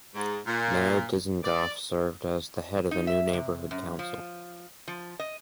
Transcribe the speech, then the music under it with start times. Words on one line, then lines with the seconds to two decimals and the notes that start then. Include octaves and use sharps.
Meir Dizengoff served as the head of the new neighborhood council.
0.15 G#2
0.46 A#2
1.43 D5
2.91 D#4
3.07 E5
3.33 C3
3.71 F#2
3.99 F3
4.88 F3
5.20 D#5